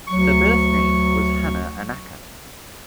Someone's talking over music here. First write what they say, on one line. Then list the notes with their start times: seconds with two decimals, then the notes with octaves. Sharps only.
Her birth name was Hana Annaka.
0.08 D2 F#3 C#6